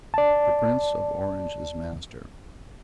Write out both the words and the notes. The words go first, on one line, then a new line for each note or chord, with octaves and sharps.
The Prince of Orange is master.
D5 A5